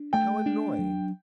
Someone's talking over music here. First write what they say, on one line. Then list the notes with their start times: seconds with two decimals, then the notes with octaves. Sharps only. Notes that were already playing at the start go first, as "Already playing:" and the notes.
'How annoying!
Already playing: D4
0.13 A3 G5
0.46 D4
0.78 F#3